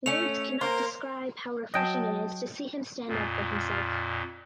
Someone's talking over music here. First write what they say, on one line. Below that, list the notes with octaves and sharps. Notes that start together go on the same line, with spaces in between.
Words cannot describe how refreshing it is to see him stand up for himself.
A3 C#4 F7
A#3 A#4 C5 C6
F#3 D#5 G5 A5
F2 A#2